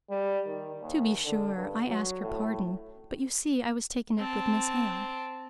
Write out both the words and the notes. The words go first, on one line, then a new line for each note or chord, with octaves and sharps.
'To be sure; I ask your pardon; but you see I was taken up with Miss Hale.
G3
D#3
D#2
D3
G2
F#3
A2
C4 A5